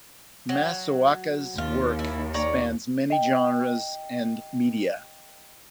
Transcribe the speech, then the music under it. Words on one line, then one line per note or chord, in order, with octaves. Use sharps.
Masaoka's work spans many genres and media.
F#3
D#2 F4
E4
C#5 D5 A#5
D#5 G5